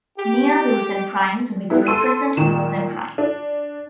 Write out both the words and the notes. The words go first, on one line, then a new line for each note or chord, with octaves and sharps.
Near-Wilson primes with represent Wilson primes.
G4
G3 B3 E4
A4 C6 E6 D#7
A#2 D#3 E7
D4